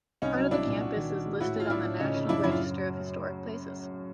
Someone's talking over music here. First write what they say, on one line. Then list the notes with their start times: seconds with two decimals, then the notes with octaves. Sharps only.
Part of the campus is listed on the National Register of Historic Places.
0.22 C2 C#4 D#4
0.36 F#3
0.51 C2 D4 E4
0.67 A#2
0.81 F#4
0.96 D#3
1.11 F#4
1.26 G#3
1.40 A2 E4 F#4
1.56 A2 F4
1.70 A2 D4 E4
1.85 A2
2.00 C#3 C#4 D#4
2.15 C#3
2.29 F#2 D4 E4
2.44 F#2 E4
2.51 F4